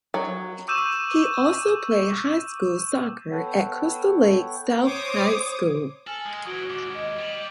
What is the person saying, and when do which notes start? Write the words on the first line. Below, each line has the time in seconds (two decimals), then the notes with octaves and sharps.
He also played high school soccer at Crystal Lake South High School.
0.14 F#3
0.68 C#6 D6 E6 G6 D#7 E7
3.31 B3 A4 B4 C#5 F#5 G5
4.82 C5 C#5 D6 D#6
6.07 A4 G#5 F6 F#7
6.26 G#3 D#6
6.46 E3 F#3 F#4 G#6 D7 G7
6.70 D#2 G#2 D6
6.94 D#5
7.19 G3 D6 F7 F#7